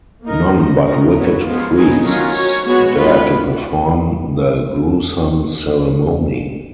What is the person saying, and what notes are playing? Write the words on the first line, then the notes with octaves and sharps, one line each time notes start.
None but wicked priests dare to perform the gruesome ceremony.
A#3 D#4 A#4
F3 B3 D#4
D#3 A#3 D#4 F#4 A#4
F#3 B3 F#4
F3 G#3 B3 F4
F#3 B3 D#4 G#4
D#3 F#3 C#4 F4 A#4
C#4 F#4 C#5
G#3 B3 F#4 C#5
G#3 B3 F4 B4